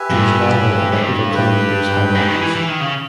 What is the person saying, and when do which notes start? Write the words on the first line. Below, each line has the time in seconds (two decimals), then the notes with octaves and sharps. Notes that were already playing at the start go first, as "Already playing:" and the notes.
It is rather about overcoming those hierarchies.
Already playing: G4 B4 E5 G#5
0.10 G2
0.92 G2
1.32 G4 B4 G5
2.15 G#2
2.28 D#3
2.41 E3
2.55 E3
2.68 D#3
2.80 C#3